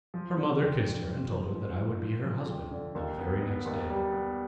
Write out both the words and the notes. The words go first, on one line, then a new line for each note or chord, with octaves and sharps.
Her mother kissed her, and told her that I would be her husband the very next day.
F3
D3
F2
F2
F3
F3
F3
F3
F3
F3
F2
D3
D#2
B3
B3
D#2
G3
B3